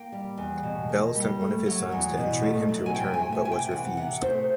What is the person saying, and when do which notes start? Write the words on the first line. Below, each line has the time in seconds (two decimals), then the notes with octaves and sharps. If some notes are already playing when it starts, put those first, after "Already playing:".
Bel sent one of his sons to entreat him to return, but was refused.
Already playing: A#3 G5
0.12 G3
0.37 E2
0.63 B2
0.89 A#3
1.15 G3
1.41 A3
1.66 F#3
1.92 E2
2.17 B2
2.43 A3
2.69 F#3
2.86 G#5
2.95 C3 G5
3.14 G#5
3.20 A3
3.32 G#5
3.45 C3 G#5
3.52 G5
3.71 E3 F#5
3.97 C3 F#5
4.22 A3 C5